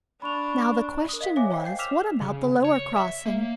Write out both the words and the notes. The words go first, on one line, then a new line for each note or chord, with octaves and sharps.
Now the question was, what about the lower crossing?
D4 B5 C#6 F7
A#4 D#6
D#5 F5 B6
C#5 E5 G#5 D6
C5 D#5 F5 G5
G5 G6 C7
D6 E6 F6 B6 E7 F7
C#3
C#5
E5
A#3